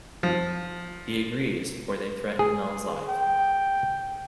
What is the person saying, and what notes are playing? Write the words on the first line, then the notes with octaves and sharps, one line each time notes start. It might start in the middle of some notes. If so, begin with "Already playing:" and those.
He agrees; for they threaten Mel's life.
F3
G#4
G5